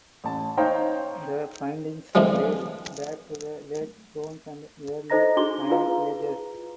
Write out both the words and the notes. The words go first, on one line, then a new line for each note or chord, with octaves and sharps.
The findings date back to the Late Bronze and Early Iron Ages.
A1 A5
D#4 C5 C#5 F5 G5 A#5
F2 G#2 D3 E3 F3 G3
D#4 A4 C5 D#5 A#5 A#6
D4 F#4 G#4 C6 D6 G7
E4 F4 G#4 B4 F5 A#5